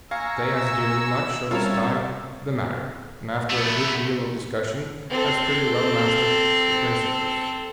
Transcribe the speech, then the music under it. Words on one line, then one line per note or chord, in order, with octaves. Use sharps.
Day has given much of his time to the matter, and after a good deal of discussion has pretty well mastered the principles.
F5 G#5 A#5 C#6 E6
G3 C4 C#4 F4 A4 A#4 C#5 E5
A3 B3
C4 A4